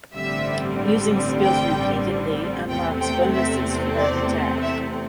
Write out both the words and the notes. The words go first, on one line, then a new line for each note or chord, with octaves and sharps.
Using skills repeatedly unlocks bonuses for that attack.
A1 G2 D3 G3 C4 E5
G5
E2 C3 A3 C4 G5
G5
E5
D5
E5